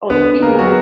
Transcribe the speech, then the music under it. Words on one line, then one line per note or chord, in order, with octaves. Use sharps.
Oh, the people?
D3 B3 B4
G#3 A#3 B3 A#4
F#3 F#4